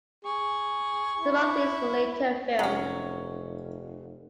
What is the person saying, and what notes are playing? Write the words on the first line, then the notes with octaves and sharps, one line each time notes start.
Some of these were later filmed.
G#4 C#6
E4
F1 F#3 C#4